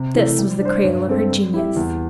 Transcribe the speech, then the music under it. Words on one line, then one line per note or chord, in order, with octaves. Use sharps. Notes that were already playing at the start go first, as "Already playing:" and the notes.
This was the cradle of her genius.
Already playing: C3
E3 A3
G3
D4 C5
G2
G3 C4 A4
G3
E4 G4 E5
E2